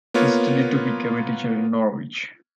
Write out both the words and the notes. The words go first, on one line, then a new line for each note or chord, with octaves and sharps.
He studied to become a teacher in Norwich.
A#3 B3 F4 C#5